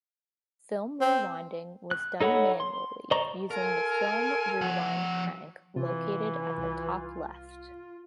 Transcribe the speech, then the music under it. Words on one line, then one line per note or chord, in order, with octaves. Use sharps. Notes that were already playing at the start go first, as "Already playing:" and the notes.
Film rewinding was done manually using the film-rewind crank located at the top left.
C4
F#6
D#4 A4 C#5 F#5 B5
C6
C5 D5 D#5 A#5 C#6
F4 A4 A#4 G#5
F3 F#5
C3 E3 F4
C2